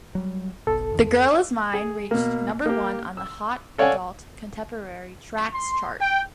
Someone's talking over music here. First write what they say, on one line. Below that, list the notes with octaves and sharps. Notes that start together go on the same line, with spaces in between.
"The Girl Is Mine" reached number one on the Hot Adult Contemporary Tracks chart.
F#3 G3
F#1 B1 B2 A4
F2 D#3
F2
G#4
B2 A#3
A#3 G4
E6
A4 C#5 D5 F5 F#5 G#5
C6
G5